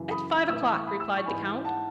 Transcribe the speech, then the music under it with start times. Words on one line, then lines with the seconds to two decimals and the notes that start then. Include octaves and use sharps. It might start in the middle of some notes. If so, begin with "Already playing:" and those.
"At five o'clock," replied the count.
Already playing: F#2 C#3 E3
0.11 B5 D#6
0.49 A2 E3 E6
0.61 D#6
0.73 C#6 E6
0.87 B5 D#6
1.00 E6
1.08 D#6
1.17 C#6
1.26 G#2 E3 G#5 B5
1.65 F#5 A5